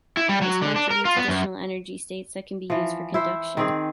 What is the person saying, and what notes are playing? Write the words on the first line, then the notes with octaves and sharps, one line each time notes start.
This contributes additional energy states that can be used for conduction.
E4
G3
F#3
D3
D4
A#4
F4
B3
F#2
E3 F3
E4 C5 E5
D#3 C4 G#4